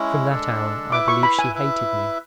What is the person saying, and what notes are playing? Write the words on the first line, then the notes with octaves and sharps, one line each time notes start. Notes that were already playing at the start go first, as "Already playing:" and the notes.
From that hour I believe she hated me.
Already playing: G#3 C#4 E4
G#3 D4 A4
E4 B4 E5 D6
C#6
B5
G#5
E4 B4 E5